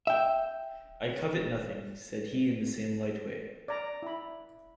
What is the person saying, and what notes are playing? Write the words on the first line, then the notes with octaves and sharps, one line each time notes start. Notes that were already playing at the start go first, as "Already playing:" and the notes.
"I covet nothing," said he in the same light way.
E5 G5
D5 A#5
E4 B5